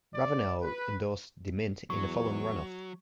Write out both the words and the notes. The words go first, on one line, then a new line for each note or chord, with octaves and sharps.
Ravenel endorsed DeMint in the following runoff.
D5
B4
E2 F#3 C#6